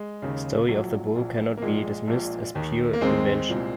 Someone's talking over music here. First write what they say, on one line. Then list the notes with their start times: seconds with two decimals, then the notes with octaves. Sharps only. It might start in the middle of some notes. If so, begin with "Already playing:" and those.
The story of the bull cannot be dismissed as pure invention.
Already playing: G#3
0.22 D#2 C#3
0.69 A#1 A#2 F#3
1.15 A#1 A#2
1.57 A#3
1.62 A#1 A#2 G#3
2.08 A#1 A#2
2.55 D#2 D#3
2.93 A#3
3.01 D#2 D#3 G#3 C4
3.48 C2 A#2